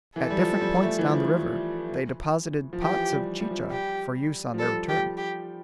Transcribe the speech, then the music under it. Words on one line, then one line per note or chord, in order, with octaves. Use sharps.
At different points down the river they deposited pots of chicha for use on their return.
E3 A4
G3
F3
G3
A3
E3
F3
F3
E3 G4
G3
G3
F3
G3
G4
F3
G3 A4
G4
G4